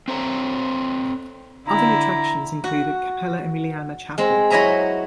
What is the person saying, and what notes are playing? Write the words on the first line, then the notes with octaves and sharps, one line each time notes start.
Other attractions include the Cappella Emiliana chapel.
C4 A4 C5 C#5 A#5
D3 E4 A#5
F#4
G#3 C4
F#3 E4 C#5 D#5 E5 A#5